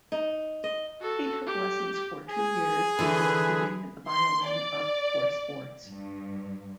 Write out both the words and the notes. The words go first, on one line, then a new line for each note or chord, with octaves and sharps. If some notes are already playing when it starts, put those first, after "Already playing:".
He took lessons for two years before giving the violin up for sports.
D#4
D#5
F#4 A4
G4
G#4 G#5
D3 E3 B4
C6
D5
G2